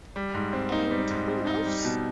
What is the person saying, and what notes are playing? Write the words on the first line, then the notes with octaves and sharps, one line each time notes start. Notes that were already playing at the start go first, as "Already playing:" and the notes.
And who knows...?
G3
G#2
C4
D#4
G3
G#2
C4
D#4
G3
B2